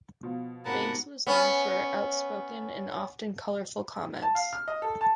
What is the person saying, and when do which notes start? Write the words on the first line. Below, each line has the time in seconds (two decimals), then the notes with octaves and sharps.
Banks was known for outspoken and often colourful comments.
0.23 B2 F3
0.66 G#2 C3 A#4 B4 F#5 A5
1.27 B3 C#4
4.22 A5
4.35 F5
4.53 F6
4.68 D#5
4.82 A4
5.01 A5